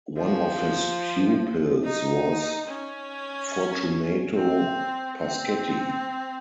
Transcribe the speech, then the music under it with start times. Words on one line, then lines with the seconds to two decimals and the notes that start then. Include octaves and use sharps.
One of his pupils was Fortunato Pasquetti.
0.17 F3
1.84 D#4
2.67 C#4
4.35 C4
5.18 C4